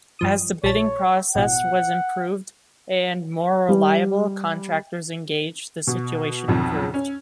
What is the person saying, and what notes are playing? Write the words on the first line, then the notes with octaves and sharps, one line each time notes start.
As the bidding process was improved, and more reliable contractors engaged, the situation improved.
G2 F3 D#6
A#1 C#5 A5
A1 B2 F#5
G3
B2
B1 F2
C#4